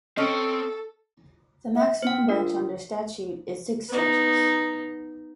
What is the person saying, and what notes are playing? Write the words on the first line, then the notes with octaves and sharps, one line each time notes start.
The maximum bench under statute is six judges.
C4 C#4 A4 D#5 G5
E5
B3 C5 F#5
G5
D4 F4 A#4
B3 D#4